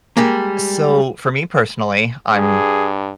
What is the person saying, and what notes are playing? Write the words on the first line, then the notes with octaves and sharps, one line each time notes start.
so, for me personally, I'm
G3 G#3 A#3
G2 G#4